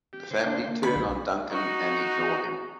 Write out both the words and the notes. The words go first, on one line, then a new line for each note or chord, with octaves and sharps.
The family turn on Duncan and ignore him.
G4
C#3 C5
D4
A#3
D3 A3 D4 B5
B1
D#4 F#4